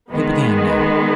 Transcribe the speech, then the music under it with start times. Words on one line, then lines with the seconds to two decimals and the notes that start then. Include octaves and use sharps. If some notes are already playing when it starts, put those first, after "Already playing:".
He began now.
0.10 D#3 G#3 B3